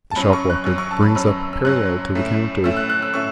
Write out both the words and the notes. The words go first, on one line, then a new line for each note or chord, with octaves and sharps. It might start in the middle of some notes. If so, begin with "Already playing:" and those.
The shop-walker brings up parallel to the counter.
A5
F#2 F#3 C#4 B5
C#6
F#6
F#2 F#3 C#4 E6
C#6
A5
B5
F#2 F#3 C#4 E6
E6
F#2 F#3 C#4 F#6
A2 A3 C#4
A2 A3 C#4 E6
F#6
F#6
E6
A2 A3 C#4 C#6